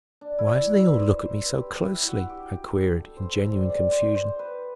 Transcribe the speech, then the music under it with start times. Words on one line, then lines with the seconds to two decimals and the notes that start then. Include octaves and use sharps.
"Why do they all look at me so closely?" I queried, in genuine confusion.
0.21 D4
0.39 E4
0.56 E4
0.73 B4
0.90 C5
1.14 C5
1.37 B4
1.60 G4
1.84 E4
2.07 F#4
2.29 G4
2.99 A4
3.17 C5
3.34 C5
3.52 D5
3.69 D5
3.92 C5
4.15 C5
4.39 B4